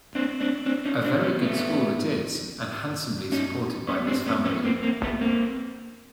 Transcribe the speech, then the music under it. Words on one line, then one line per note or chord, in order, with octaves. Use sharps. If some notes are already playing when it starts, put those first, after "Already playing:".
A very good school it is, and handsomely supported by this family.
C4 D4
C4 D4
C4 D4
C#4 D#4
C4 D4
B3 C#4
A3 B3
C#4 D#4
B3 C#4
C4 D4
B3 C#4
B3 C#4
A#3 C4
A#3 C4
A3 B3
A#3 C4